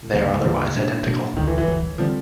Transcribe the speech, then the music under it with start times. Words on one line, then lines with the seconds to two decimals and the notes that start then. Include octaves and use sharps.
They are otherwise identical.
0.13 D2 C#3 F#3 A#3
0.44 D2 C#3 F3 F#3 A#3
0.75 B2 F#3 A#3 D4
1.06 B2 F#3 A#3 D4
1.37 D2 D3 D#3 F#3
1.47 E3
1.58 E3
1.67 D2 D3 F#3
1.98 D3 F3 G3 C4